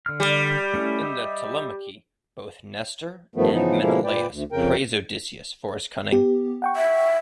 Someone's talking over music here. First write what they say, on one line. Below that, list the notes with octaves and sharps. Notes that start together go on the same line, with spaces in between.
In the "Telemachy" both Nestor and Menelaus praise Odysseus for his cunning.
D3 F6
G3
A3 C#4 E4
G4 D#5 E5
G2 D#3 F3 A3 B3
C#3 E3 F3 B3 D#4
B2 D3 F3 G#3 A#3 E4
A#2 B4 D5 G5
D2
F2 C#3 A#4 G5
B3 G4
F#5 G5 C#6
E5